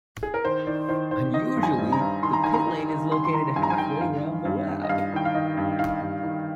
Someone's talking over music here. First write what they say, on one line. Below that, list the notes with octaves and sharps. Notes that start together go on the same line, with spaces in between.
Unusually, the pit lane is located halfway round the lap.
G#4
A#4
D#3 C5
D#3 D5
D#3 C5
D#3 C5
D#3 D#5
G2
G#5
G2
A#5
G2
D#3 C6
A#5
D#3 G#5
A#5
D#3
D#3
D#3 C6
C6
D#3 A#5
G2 G#5
A#5
G#5
D#3 G5
G2 F5
D#3
G2
G2
D#5
G2 F5
D#3 G5
F5
D#3 D#5
G2
D#3 F5
G2
D#3